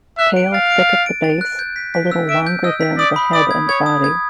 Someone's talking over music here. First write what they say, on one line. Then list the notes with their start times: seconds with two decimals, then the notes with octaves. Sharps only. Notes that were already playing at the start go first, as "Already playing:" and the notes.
Tail thick at the base, a little longer than the head and body.
0.19 E5 F#6
0.36 D7
0.54 F5 A6
0.72 D7
0.89 A6
1.06 D7
1.24 A6
1.41 F#6
1.59 G6
1.76 B6
1.94 B6
2.11 E6
2.29 E5 D7
2.47 G6
2.64 D#5 E6
2.81 B6
2.98 D5 D#6
3.16 B5
3.33 D5 D#6
3.51 G#6
3.69 C#5 G#6
3.86 D#6
4.04 G#6